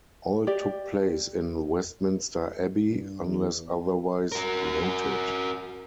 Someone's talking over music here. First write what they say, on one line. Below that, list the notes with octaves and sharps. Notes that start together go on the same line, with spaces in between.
All took place in Westminster Abbey unless otherwise noted.
G4 D5
G2
E2
F#4 A#4